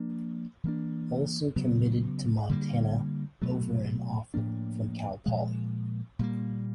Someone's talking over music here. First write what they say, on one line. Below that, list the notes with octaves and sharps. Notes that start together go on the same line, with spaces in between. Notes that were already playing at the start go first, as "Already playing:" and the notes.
Olson committed to Montana over an offer from Cal Poly.
Already playing: F3 A#3 D4
E3 G3 A#3 D4
C#3 F#3 B3
D3 G3 A#3
B2 F#3 A3
A2 F3 A#3 D4
A#2 F3 G#3
A#2 G3 A#3